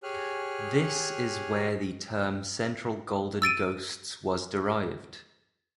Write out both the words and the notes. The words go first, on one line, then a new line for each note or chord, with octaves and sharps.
This is where the term Central Golden Ghosts was derived.
G4 G#4 C#5 G#5 F6 F#6
E6 A6 D7 D#7